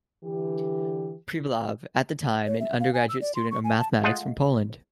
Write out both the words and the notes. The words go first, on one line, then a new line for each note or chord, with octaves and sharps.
"Privalov", at that time, an undergraduate student of mathematics from Poland.
D3 E3 G4
C#5
E5
F5
G#5
E6
D5
C6
C#6
G#5
A5
G#3 A3 F4 D#5 F#5